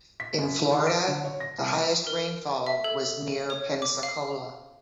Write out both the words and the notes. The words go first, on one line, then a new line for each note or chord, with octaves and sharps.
In Florida, the highest rainfall was near Pensacola.
B6
F#2
E3
D#3
D7
D3
C#5
A#6
C2
A#4
E5
A4
C#5
D6
F5